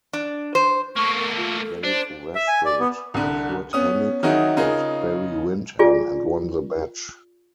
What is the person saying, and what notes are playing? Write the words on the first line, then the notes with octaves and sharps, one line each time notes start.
They wrestled Curt Hennig and Barry Windham and won the match.
D4
C5
A3 A#3 C#6
A#4
F4
A4
D4 C5
E5
G#5
D5
B3
C2 D3
B3 C#4 D#6
D#3 F#3 D#4 E4 F#4 G#4
C#3 D#4 F4 G#4 A#4
F4 G#4 D5 G#5